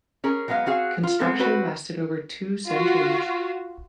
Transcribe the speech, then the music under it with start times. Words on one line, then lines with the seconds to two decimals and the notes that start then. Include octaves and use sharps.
Construction lasted over two centuries.
0.24 C#4 G#4 A#4
0.48 F#3 G#3 B3 D5 F5
0.66 C4 F#4 G#4 F5
1.03 F4
1.20 G#3 B3 C4 A4
1.39 C4 F#4 B4 C#5
2.67 F4 F#4